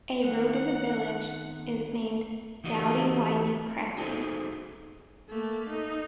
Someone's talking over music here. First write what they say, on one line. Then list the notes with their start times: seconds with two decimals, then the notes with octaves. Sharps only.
A road in the village is named Doughty-Wylie Crescent.
0.23 D#3 B3 C4 F#5
2.64 E3 D#4 F#4 G4 D#5
3.98 D#4 F#4 G#4 A4 C5
5.29 A3 A#3
5.70 D#4